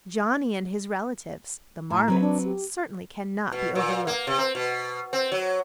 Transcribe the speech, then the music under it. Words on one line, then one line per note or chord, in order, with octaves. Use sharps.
Johnny and his relatives, the Marmots, certainly cannot be overlooked.
A2 A#5
F#3 C4 B4
D4
G4
B2
A#2
A#3
C3
C4
B2
C4
F#3